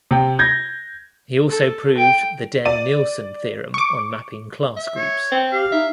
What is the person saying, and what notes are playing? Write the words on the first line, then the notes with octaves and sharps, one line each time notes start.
He also proved the Dehn-Nielsen theorem on mapping class groups.
C3 G5
G6 G#6 A#6
A4
G5
D5 D#7
C#6 D6
E5
C#5
C4
G4 F5
D#4 E5